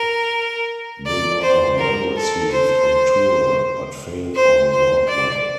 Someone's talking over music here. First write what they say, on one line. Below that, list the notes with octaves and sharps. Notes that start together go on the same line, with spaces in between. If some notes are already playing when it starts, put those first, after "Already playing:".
They were well received on tour but failed on Broadway.
Already playing: A#4
D5
C5
A#4
A4
C5
C5
C5
D5